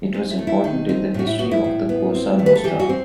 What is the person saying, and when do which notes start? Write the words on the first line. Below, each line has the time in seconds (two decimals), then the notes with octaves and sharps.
It was important in the history of the Cosa Nostra.
0.13 C4 D#4
0.30 E4
0.39 A3
0.47 E4
0.64 D#3 D#4
0.89 C4 D#4
1.14 A2 F#4
1.27 E4
1.39 B3 F#4
1.51 E4
1.64 A2
1.89 B3
2.15 C4
2.39 A3
2.46 B4
2.56 A4
2.64 E3 G4
2.80 F#4
2.89 C4